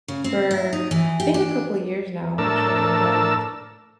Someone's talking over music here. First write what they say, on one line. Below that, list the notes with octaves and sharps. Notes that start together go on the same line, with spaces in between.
for, I think, a couple years now, actually, and, um
C#3
C4
E4
D#4
E3
G4
D4
A2 D4 A#4 A5 E6